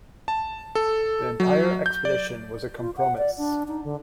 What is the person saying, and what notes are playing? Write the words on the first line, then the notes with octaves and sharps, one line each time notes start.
The entire expedition was a compromis.
A5
A4
F#3
G6
D5
F4
F#5
D5
D4
D#4
D3